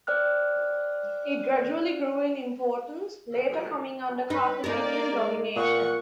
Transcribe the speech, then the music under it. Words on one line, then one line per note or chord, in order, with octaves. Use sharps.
It gradually grew in importance, later coming under Carthaginian domination.
C5 D5 G5 F6 F#6
D#4 B4
A#3 D#4 A#4 D5
G#3
A#2 F#5 C#6